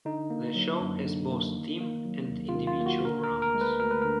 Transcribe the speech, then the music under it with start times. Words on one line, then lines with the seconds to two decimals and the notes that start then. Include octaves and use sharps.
The show has both team and individual rounds.
0.05 D3 D#4
0.30 A#3
0.55 F#3
0.81 F#2
1.05 D3
1.31 A#3
1.55 D#3
1.81 A#3
2.05 F#3
2.30 D#2
2.49 F4
2.55 D#3
2.67 F4
2.80 A#3
2.86 F#4
3.05 D3 A#4
3.24 A#4
3.30 D2
3.42 A#4
3.55 G#3
3.61 B4
3.80 D2 A#4
3.91 B4
4.02 D3 A#4